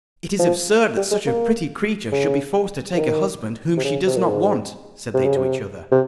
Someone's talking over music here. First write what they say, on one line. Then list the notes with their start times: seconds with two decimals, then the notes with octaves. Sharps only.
'It is absurd that such a pretty creature should be forced to take a husband whom she does not want,' said they to each other.
0.39 F3
0.97 G3
1.11 G#3
1.27 A#3
2.12 C#3
2.94 F3
2.99 D#3
3.77 C3
3.84 C#3
4.07 C3
4.17 A#2
4.29 G#2
5.14 C3
5.25 C#3
5.36 C3
5.92 C3